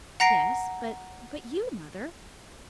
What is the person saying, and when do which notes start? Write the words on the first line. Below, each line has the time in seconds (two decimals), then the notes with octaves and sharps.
"Yes--but--but you, Mother?"
0.20 F#5 A#5 A#6 C7 D7